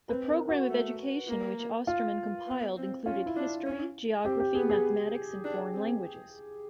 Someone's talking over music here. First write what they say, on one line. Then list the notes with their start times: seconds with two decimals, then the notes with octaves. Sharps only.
The program of education which Ostermann compiled included history, geography, mathematics, and foreign languages.
0.09 C4 B4
0.29 A#4
0.49 F#4
0.69 A3
1.27 A#3
1.87 F4
2.46 B3
2.77 C4
3.06 C#4 F4
3.26 E4
3.36 D4
3.66 C#4
4.25 C4 G4
4.40 G4
4.54 B3 G#4
4.70 G#4
5.44 D4
5.73 C4